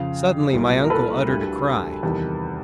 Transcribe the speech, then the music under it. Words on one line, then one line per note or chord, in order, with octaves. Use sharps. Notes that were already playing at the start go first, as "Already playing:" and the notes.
Suddenly my uncle uttered a cry.
Already playing: F2 C#3 F3 F5
C2 A#2 F#3
A#4
A4 B4
D2 D3 G3
E2 C3 D#3 G3